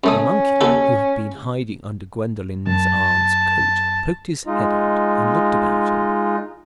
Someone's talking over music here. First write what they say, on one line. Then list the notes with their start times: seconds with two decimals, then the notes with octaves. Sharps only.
The monkey, who had been hiding under Gwendolen's aunt's coat, poked his head out, and looked about him.
0.04 F#2 A3 C#4 D#6
0.61 D#2 F#4 A4
2.67 F#2 A5
4.47 G#3 D#4 F4 D#5